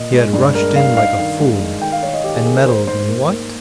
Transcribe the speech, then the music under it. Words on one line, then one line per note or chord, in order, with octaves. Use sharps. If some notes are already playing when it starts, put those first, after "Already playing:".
He had rushed in like a fool, and meddled in what?
Already playing: A#2 D#5
G#3
G2
G#3 A#4
G2 F5
D#4 F5
D#3
G#3
G#3
D#3 G5
F5
D#3 C#5
D#5
D#3 G4
G#4
A#3 G#4
A#4
A#3 C5
G#2 C5
A#3
A#3